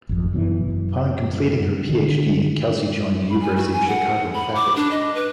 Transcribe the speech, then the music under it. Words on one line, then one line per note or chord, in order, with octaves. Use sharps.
Upon completing her Ph.D., Kelsey joined the University of Chicago faculty.
G#1 F2
F#2 B2 D3 E3
F#2
D3 D#3
B5
G#5
F#4
G#5
F#5
B5
D6
D4
D#5
B4